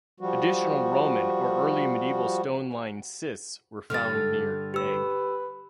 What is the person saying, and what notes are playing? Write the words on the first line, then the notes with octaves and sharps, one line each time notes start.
Additional Roman or early medieval stone lined cists were found near Egg.
F3 G3 F#4
G2 D3 F6 A6
G4 B4 E6